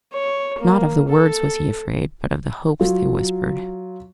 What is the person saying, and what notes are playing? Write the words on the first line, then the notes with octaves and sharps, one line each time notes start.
Not of the words was he afraid, but of the hopes they whispered.
C#5
A#3
A4
F#3 F4